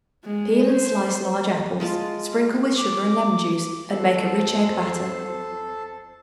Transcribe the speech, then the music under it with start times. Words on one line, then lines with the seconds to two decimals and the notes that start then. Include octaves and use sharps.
Peel and slice large apples; sprinkle with sugar and lemon-juice and make a rich egg batter.
0.24 G#3
0.70 C5
1.80 G#3 F4 A5
2.78 D6
3.91 F2 A4 C5 A5